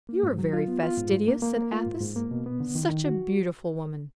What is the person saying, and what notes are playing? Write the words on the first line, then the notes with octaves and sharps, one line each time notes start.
"You are very fastidious," said Athos; "such a beautiful woman!"
A#3
G#2
F#3
F4
B3
F4
G#2
G#2
A#3
A#3
A#3
F4
G#2
G#2
A#3
B2
B3
D3
D#3
D#3
F#4